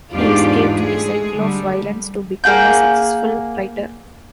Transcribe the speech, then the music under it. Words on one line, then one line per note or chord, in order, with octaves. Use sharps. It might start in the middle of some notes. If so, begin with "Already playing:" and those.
He escaped the cycle of violence to become a successful writer.
E2 G#2 D4 F4 G4 D5
G#3 A3 G#4
D3 G3
A#3 G#4 F#5 G6